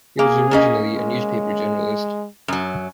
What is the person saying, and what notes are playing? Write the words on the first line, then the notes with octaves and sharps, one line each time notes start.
He was originally a newspaper journalist.
A#3 G#4
A#3 C#4 D#5
G#3
F#2 F#3